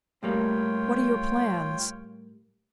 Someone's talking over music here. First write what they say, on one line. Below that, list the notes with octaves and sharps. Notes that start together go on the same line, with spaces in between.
What are your plans?
A2 G3 A#3 F4 C#5 G5